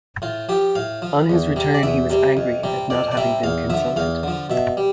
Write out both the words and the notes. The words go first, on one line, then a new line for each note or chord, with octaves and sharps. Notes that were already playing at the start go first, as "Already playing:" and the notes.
On his return he was angry at not having been consulted.
A2 F4
F3 G4
A2 F5
F3
E2
C3 G3
D5
E2 E5
C3 G3
F2
C3 G3
F2 D5
D5
C3 G3 E5
E2 F5
D3 F3 E5
E2 F5
D3 F3
B2 E5
G3